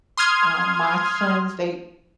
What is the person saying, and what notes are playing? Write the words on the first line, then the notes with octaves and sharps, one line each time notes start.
Um, my sons, they
C6 D#6 F6 G#6